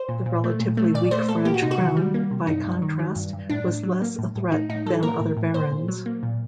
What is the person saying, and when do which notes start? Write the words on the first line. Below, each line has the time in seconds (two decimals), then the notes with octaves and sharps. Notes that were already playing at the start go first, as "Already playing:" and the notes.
The relatively weak French crown, by contrast, was less a threat than other barons.
Already playing: C5
0.09 A#2
0.26 A#2
0.44 A3
0.60 A#2
0.77 A3
0.94 A#2 D5
1.11 A3 C5
1.29 A#2 A4
1.45 A#3 G4
1.54 F#4
1.62 C3 D#4
1.71 F#4
1.80 D#3
1.97 G3
2.14 A#3
2.31 C3
2.47 G2 D#4
2.64 G2
2.82 D#3
2.99 F#3
3.16 G2
3.33 G2
3.50 A2 D4
3.67 A2
3.83 F#3
4.02 A#3
4.18 A2
4.35 A2
4.52 A2 D#4
4.69 A2 D#4
4.86 F#3 A4
5.03 A#3 A#4
5.20 A2
5.37 A2
5.54 A#2 C5
5.71 A#2
5.88 F#3
6.06 A#3
6.23 A#2